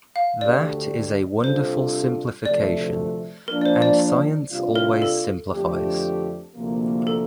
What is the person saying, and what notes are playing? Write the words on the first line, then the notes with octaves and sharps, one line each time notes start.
That is a wonderful simplification, and science always simplifies.
F5
D2 D3 A3 D4 G4 D5
C3 G3 D4 F4 A4 C5
D2 C3 F3 A3 D5
F3 A#3 D4 A#4
D5
C5
D5
C3 G3 D4 F4
A#4
A4
F2 D3 A3 D4 G4
D2 C3 F3 A#3
A4